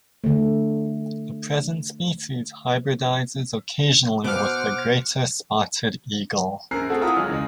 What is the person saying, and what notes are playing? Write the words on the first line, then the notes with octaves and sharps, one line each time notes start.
The present species hybridizes occasionally with the greater spotted eagle.
D3 A3
B2 C5 F#5 D6 F6
A#1 F#2 A#4 A#5 F#6 C7
A3 C4 F#4 G#4 A4
E4 F4 A#4 F#5 A#5 D#6
E1 E3 F#3 G#3 F6
C#2 G#3